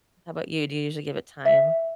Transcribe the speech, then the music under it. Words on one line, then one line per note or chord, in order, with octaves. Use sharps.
How 'bout you? Do you usually give it time?
E5